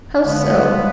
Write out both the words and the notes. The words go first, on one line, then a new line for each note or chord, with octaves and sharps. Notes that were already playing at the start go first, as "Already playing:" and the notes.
"How so?"
D3 F3 G#3 B3
G3